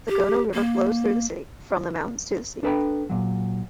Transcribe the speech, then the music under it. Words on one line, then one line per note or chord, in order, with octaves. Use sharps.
The Gono River flows through the city, from the mountains to the sea.
G4
A#3
D4 A4 B4 G5 A#5 B5
A#2 F#3